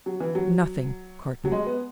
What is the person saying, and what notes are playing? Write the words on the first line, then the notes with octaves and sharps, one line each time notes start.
"Nothing, Carton."
F#3
E3
F#3
F#3
G#3
B3